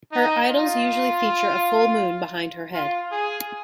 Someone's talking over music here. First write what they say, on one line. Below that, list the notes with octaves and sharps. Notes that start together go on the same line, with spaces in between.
Her idols usually feature a full moon behind her head.
D#4
F4
F4
G#4